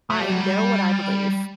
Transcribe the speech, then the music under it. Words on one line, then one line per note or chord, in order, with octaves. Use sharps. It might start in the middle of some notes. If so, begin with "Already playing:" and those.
I know what I believe.
A3
G3
F#3
G3